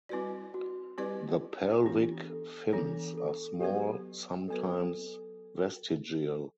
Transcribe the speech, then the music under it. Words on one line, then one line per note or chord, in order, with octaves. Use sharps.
The pelvic fins are small, sometimes vestigial.
G3 C4 E4 F#4 B4 D5
F#4
G3 C4 E4 G4 B4 D5
E3 B3 D4 G4
A4
E3 B3 D4 A4
A4
F#3 B3 F#4 G4 B4
F#3 B3 F#4 A4 B4
A4